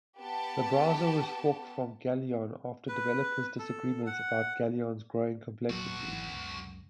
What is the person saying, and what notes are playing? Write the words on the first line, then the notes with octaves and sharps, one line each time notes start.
The browser was forked from Galeon, after developers' disagreements about Galeon's growing complexity.
B3 G4 A5
B4
A4
F#5
E1 B1 A#2 F#3 F#4
G#1 E3
C#2 F#2